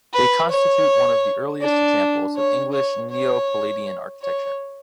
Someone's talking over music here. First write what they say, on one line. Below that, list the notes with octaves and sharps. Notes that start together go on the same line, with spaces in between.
They constitute one of the earliest examples of English neo-Palladian architecture.
B4
C#5
D4
C#5
C#5
C#5
C#5